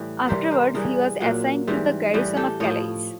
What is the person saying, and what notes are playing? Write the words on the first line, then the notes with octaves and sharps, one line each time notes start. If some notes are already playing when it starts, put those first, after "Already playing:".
Afterwards, he was assigned to the garrison of Calais.
Already playing: A2 E3 G3
C3 E3 G3 A#4 C5
A#4 C5
G2 E3 G3 G#4 A#4
A#2 F#3
G#2 E3 G3
A2 E3 G3
G4 A4
A2 F3 C#5 D#5